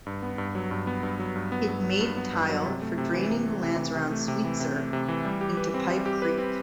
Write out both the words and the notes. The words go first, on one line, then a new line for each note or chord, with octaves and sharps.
It made tile for draining the lands around Sweetser into Pipe Creek.
G2
B3
G2
F#3
G2
B3
G2
F#3
G2
B3
G2
F#3
G2
B3
G2
F#3
C3
A3
C3
E3
C3
A3
C3
E3
C3
A3
C3
E3
C3
A3
C3
E3
G3
G4
B4
C4
G3
G4
B4
C4